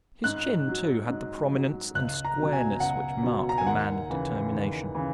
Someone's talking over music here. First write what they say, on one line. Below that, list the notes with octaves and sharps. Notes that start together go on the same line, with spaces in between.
His chin, too, had the prominence and squareness which mark the man of determination.
G#2 F#6
F#3
G#2
F#3
C#2 F#6
A#5
B2 F#3
G#5
C#2 F#5
B2 F#3
A#5
G#5
D#2 F#5
C#3 E3
D#2
C#3 E3